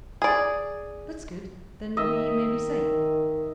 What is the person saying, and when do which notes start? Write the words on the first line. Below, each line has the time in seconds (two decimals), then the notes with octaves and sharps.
"That's good; then we may be saved."
0.22 G#4 D5
1.97 D#3 D#5 E5